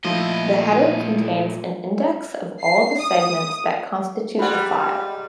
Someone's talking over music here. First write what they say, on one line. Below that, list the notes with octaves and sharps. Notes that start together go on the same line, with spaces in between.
The header contains an index of all the segments that constitute the file.
A#2 F3 A3 E4 A4 D#5
C7
D#6
G#2 G3 G4 F#5 B5